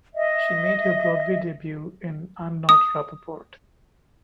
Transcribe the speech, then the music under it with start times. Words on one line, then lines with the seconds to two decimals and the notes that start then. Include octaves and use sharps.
She made her Broadway debut in "I'm Not Rappaport".
0.14 D#5 E5
2.69 D#6